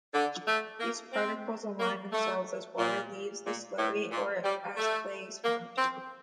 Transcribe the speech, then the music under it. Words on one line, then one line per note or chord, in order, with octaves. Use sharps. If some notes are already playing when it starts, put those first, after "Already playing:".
These particles align themselves as water leaves the slurry, or as clay is formed.
D3
A3
A#3
C4
A#3
A3
A#2
A#2
A2
A#2
G3
A3
A#3
C4